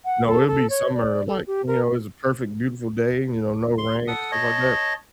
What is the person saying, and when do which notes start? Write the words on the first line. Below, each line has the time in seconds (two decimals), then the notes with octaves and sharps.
you know, it'll be summer, like, you know, it's a perfect beautiful day, you know, no rain and stuff like that,
0.05 F#5
0.27 A4
0.47 A4
0.70 C#5
0.94 D5
1.27 A4
1.47 G4
1.67 A#4
3.78 C6
4.07 A4 F#5 D#6
4.32 C#5 D#5 A5